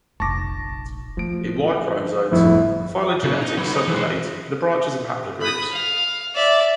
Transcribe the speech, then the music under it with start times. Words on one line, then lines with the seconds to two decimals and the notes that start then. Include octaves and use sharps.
In Y-chromosome phylogenetics, subclades are the branches of haplogroups.
0.20 F1 A#1 A5 C#6 D6 A#6
1.17 F3 A3 D7
2.32 G1 F2 A2 F3 E4
3.24 C#3
3.41 D#4
3.58 F#3 B4
3.74 D#4
3.88 E3 G#3
5.41 B5 D#6
5.71 F5
6.35 D5 E5